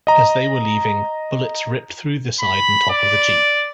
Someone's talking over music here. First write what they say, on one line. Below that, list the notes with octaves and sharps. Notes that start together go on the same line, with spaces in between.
As they were leaving, bullets ripped through the side and top of the Jeep.
D#5 A#5
B5
D5